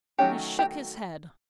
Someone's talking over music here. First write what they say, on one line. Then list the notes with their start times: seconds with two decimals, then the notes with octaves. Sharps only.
He shook his head.
0.19 D#3 F#3 A3 C#4 G4
0.59 G4